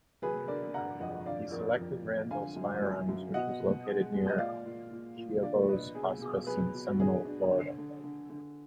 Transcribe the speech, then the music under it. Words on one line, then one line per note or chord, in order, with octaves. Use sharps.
He selected Randall's Firearms, which was located near Schiavo's hospice in Seminole, Florida.
F#3 G#4 B4
D3 A#4 D5
D3 F#5 A#5
F2 D#5 F#5
D4 D5 F5
F2 A#4 D5
F2
F2
D3 F5 G#5
F#2
F#2
F#2
B2 D#5 F#5
B2
G#3
G#3
D#5
A#2 D5 F5
A#2
A#2
A#2
D4 D5 F5
D5
D4 B4 D#5
B2 G#4
B2 G#4
F#3 G#4 B4
B2
F#4
D4 G#4
D4
D3
D3
D3
D3